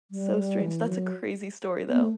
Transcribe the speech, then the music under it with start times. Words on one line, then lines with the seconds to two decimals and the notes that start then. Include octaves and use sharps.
so strange. That's a crazy story though.
0.11 G3
0.36 G3
0.61 E3
0.87 F#3
1.88 B3
1.98 A3